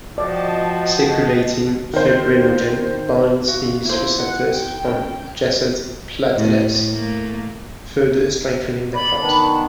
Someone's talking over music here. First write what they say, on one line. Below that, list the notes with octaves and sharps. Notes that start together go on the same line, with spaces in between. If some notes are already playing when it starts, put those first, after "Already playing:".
Circulating fibrinogen binds these receptors on adjacent platelets, further strengthening the clot.
F3 F#4 D5 D#5 G5 A5
D#3 C5
F4 F#4 E5
A#3 E4 F4 C5
F#5
G5
C#4
A2 A3
A3 A#3
D5 B5
D#3 B3 D4